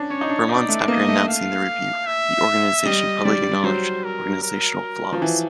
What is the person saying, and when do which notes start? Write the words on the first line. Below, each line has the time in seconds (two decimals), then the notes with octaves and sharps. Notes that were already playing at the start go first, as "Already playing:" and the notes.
Four months after announcing the review, the organization publicly acknowledged organizational flaws.
Already playing: C#4 D4
0.10 C#4 C#5
0.21 D#4
0.30 D4
0.49 D#4 D5
0.69 A3
0.88 A#3 D#5
1.08 A3
1.28 F5
2.06 E5
2.86 G3 D#5
3.24 G3 D5
3.64 F#3 C5
4.04 A#4
4.42 A#4
5.12 F3
5.22 E3